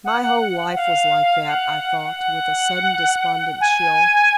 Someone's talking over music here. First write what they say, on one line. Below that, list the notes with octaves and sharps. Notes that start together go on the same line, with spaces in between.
My whole life was like that, I thought, with a sudden despondent chill.
F#5
F#5
F#5
F#5
F5
F#5
F#5
G#5